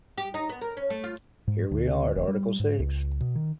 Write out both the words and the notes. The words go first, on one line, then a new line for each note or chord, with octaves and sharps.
Here we are at article six.
G4
D#4
B3
A#4
C#4
A3
F4
G#2
D2
D#1
G3
G#2
C#2
B2
D#3